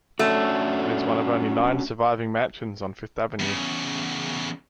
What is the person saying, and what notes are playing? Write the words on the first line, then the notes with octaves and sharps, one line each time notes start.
It is one of only nine surviving mansions on Fifth Avenue.
A3 C#4 D4 F#4
E2 C#3